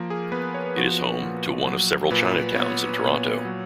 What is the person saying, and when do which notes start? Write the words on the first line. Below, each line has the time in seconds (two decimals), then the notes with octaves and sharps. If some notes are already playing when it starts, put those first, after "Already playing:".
It is home to one of several Chinatowns in Toronto.
Already playing: F3 A#3
0.10 G#4
0.32 B3 B4
0.54 C#5
0.77 F3 F#4
1.22 A#2
1.67 F#3
2.10 A#2 B4
2.55 B3 C#5
3.01 A#2
3.45 F#3